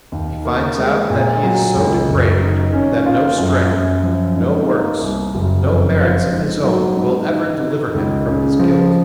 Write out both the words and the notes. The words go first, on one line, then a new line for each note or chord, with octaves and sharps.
He finds out that he is so depraved, that no strength, no works, no merits of his own will ever deliver him from his guilt.
D#2
A#3
G#3
A#2
F#3
C#2
F#1
D#3
C#4
F4
F#2
F#2
F3
G#2
A#3
C2
F#1
F2
F4
G#2
F#3
G#2
D#3
D#3
C#2
C#3
F3